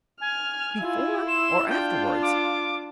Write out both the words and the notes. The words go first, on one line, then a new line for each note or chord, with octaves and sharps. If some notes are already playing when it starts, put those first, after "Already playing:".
"Before, or afterwards?"
G#5 F6
E4 F4
C6 E7
D4 F4 G5
D6